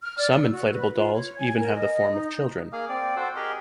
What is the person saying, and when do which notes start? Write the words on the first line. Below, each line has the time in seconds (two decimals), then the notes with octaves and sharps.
Some inflatable dolls even have the form of children.
0.03 F6
0.17 D5
0.29 E6
0.52 F#4
0.71 B4
0.95 F4
1.14 C#5
1.39 G#5
1.59 A#4
1.73 D#5
2.12 D#4
2.72 A#3 G#4 F5
2.89 C4 D5
3.16 F#4 A4 C5
3.36 G4 G#4 A#4 D#5